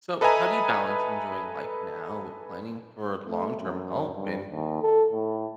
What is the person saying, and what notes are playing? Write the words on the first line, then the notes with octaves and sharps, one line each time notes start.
So, how do you balance enjoying life now with planning for long-term help in
A4 B4 D#5 E5 G#5 A#5
A3
F#2
G2
D#2
A4
A2